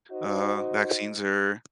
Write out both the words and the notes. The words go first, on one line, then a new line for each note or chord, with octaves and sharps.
uh, vaccines are
D#4 F#4 C5 D#5